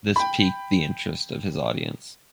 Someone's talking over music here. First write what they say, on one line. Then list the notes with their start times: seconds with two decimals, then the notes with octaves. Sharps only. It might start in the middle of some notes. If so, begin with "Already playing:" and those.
This piqued the interest of his audience.
0.16 G5 B5